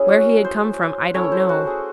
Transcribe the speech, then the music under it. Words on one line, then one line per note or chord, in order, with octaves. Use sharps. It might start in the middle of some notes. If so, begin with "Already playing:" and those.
Where he had come from, I don't know.
Already playing: F#3 C#4 E4 G#4
F#4
C5
A3 C#4 E4 C#5
C5
F#4
G#4